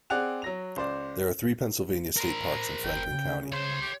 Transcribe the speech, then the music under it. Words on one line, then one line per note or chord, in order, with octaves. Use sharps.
There are three Pennsylvania state parks in Franklin County.
C4 G#4 D5 F#5 F#6 F7
F#3 A#6 F7
C#2 C5 D5
A#4 C5 A#5
F#1 G5
C#3
C5 C#5 C6
G4